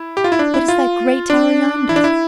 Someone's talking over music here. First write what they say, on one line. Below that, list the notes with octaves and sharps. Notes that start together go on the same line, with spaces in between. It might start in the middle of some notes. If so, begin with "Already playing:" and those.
What is that great tower yonder?
Already playing: E4
G4
F4
E4
D4
E4
F4
D4
E4
D4
E4